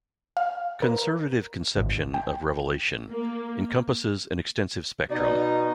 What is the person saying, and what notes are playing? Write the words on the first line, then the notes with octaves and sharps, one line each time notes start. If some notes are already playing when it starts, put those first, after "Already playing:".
Conservative conception of Revelation encompasses an extensive spectrum.
F5
A#4
G#1
G5
A#3
B2 D#4 D5